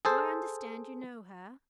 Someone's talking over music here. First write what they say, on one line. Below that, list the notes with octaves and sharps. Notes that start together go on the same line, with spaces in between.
"Do I understand you know her?"
G#4 A4 C5